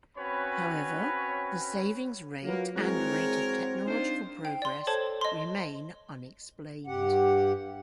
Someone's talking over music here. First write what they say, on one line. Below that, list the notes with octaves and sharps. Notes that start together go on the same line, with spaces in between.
However, the savings rate and rate of technological progress remain unexplained.
C4 C#4 F#4 B4 C#5 B5
F#3 A#3 F4 B4
E3 G#3 C4 F#4 A#4 C#5 F#6
D4 D#4 F4 C5
G5
D5 C6
A4 C5 C#5 A5
D#5 C6
G2 G4 F#5